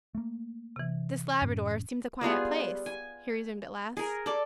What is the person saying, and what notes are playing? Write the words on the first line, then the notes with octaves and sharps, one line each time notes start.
"This Labrador seems a quiet place," he resumed at last.
A3 A#3
C3 E3
F#2 A2 C#4
G3 B3 F4 G#4
G#5
G#4 A#4
A4 D5